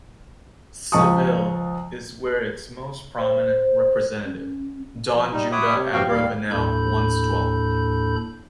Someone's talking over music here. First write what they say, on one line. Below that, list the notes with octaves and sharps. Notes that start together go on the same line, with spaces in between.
Seville is where its most prominent representative, Don Judah Abravanel, once dwelt.
C#2 F3 D#5 A5 C#6 D#6
C5
C#4
F3
G3 D#4
C#5 E5 F#5 B5 D6 D#6
C3
G2 C3 F3 F#4 F5 G5
D#2 G3 F5
D#2 A2 D4 A4 B5 G6